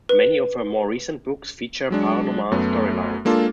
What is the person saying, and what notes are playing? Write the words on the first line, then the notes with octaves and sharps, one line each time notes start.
Many of her more recent books feature paranormal storylines.
B4
F#3 G#3 D4
F#2 A3 B3
G#3 A#3 D4 F4 A4